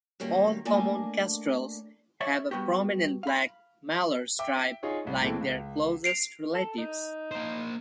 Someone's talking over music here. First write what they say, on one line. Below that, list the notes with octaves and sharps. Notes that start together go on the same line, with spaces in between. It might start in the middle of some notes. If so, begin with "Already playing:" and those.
All common kestrels have a prominent black malar stripe like their closest relatives.
F#2 D#3 G3 A#3
A3 A#3 D4 D5 D#5 G#5
C#5 D5 E5
G3 B3 F#4 G4
F5 B5
E5 G5 D6
D#4 F4 G#4 C#5
C2 A2
A#2 E3 G#3 A3 C4
C#2
C7 D7 F7
A4
D#4
A#3 C5